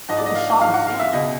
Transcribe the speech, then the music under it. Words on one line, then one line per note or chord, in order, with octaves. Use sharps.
It was shot in Spain.
G#2 F3 D#5
D5
D#5
F5
G#2 F3 F5
F#5
F5
E5
C#2 B2 D#5